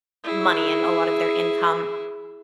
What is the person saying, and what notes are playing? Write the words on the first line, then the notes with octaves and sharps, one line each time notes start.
money and a lot of their income.
E4 G#4